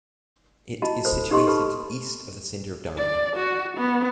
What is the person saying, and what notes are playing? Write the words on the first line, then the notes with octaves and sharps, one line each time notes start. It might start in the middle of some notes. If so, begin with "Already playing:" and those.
It is situated east of the centre of Durham.
E4 F#4 D#5 A5 B5
A4 C5
D#4 G4 A4 D#5 C6 C#6
G4 A4 B4 A5 B5 C#6
D5
F#4
B3